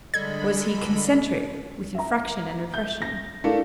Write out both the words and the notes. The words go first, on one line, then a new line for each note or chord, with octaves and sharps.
Was he concentric with infraction and repression?
D3 G3 G#3 A4 D#5 B5 G#6
E5 A#5
E5 G6
A#6
A3 D4 E4 A#4 F5